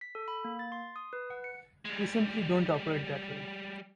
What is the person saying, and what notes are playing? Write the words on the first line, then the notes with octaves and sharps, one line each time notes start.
We simply don't operate that way.
B6
A4
B5
A#3
A6
C6
D#6
B4
F#5
C#7
G3 G#3